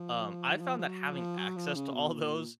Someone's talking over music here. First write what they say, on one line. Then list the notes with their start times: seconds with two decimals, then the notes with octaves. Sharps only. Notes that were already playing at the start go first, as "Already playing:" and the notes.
Um, I found that having access to all those
Already playing: F3
0.56 D#3
0.61 F3
0.79 F3
0.87 F#3
1.12 F3
1.37 F#3
1.56 F3
1.76 C#3
1.94 B2
2.13 A#2